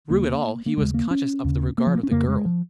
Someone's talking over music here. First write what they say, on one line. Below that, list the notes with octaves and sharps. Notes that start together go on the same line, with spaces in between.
Through it all he was conscious of the regard of the girl.
D#2 C#3 A#3
A#3
D#2 C#3 G#3
A#3
C#4
D#2 C#3
A#3
F3
A#3
C#4
F2 C#3 A#3
G#3
F3